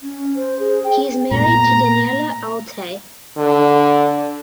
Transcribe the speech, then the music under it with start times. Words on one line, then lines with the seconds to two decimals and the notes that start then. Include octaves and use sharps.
He is married to Daniella Altay.
0.02 C#4
0.36 C5
0.59 G#4
0.84 G5
1.31 A#2 A3 B3 A#5
3.37 D3